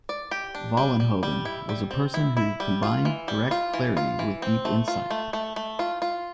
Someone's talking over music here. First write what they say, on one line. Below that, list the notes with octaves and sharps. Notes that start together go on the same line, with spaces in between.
Vollenhoven was a person who combined direct clarity with deep insight.
D5
G4
D4
G3
G3
G3
E4
G3
C4
E4
E4
G3
F4
E3
G3
F4
E3
F4
E3
C4
A3
F4
A3
A3
A3
F4
F4